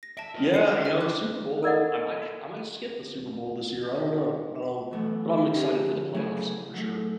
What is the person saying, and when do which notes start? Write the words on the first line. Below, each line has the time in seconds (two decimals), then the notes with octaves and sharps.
Yeah. You know, Super Bowl, I might act I might skip the Super Bowl this year. I don't know. Um, but I'm excited for the playoffs for sure.
0.03 A#6
0.17 E5 A5 A#6 D7
0.35 A#4 D#5
0.54 C7 C#7 D#7
0.85 F6
1.01 D6 F#6
1.63 A4 A#4 D5 D#5 F#5
4.91 E3 F#3 A3 B3
5.53 D3 F3 C#4 G4 G#4
6.14 C#3 F#3 A3 B3 E4 G#4
6.74 F#3 A3